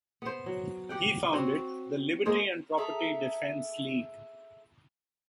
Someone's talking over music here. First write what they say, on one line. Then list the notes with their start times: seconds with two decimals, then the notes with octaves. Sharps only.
He founded the Liberty and Property Defence League.
0.22 B3 C5
0.46 F#3
0.89 G4 F#5 G5
1.33 C4 F#4 C5 C#5
2.25 G#3 A#3 G#4 C5
2.78 G#4 A4 E5 A#5